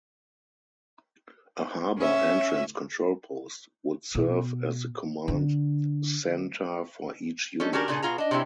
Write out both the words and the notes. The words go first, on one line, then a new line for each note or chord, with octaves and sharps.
A Harbor Entrance Control Post would serve as the command center for each unit.
C#4 E5
B2
D3
C#4 D#4 A4
D#3 C#4 D4 F#4 G4 A#4
A#2 C#3 D4 G#4 A4
B2 B3 F4 G#4 A#5
D4 D#5
C3 G#3 C4 C#4 E4 G4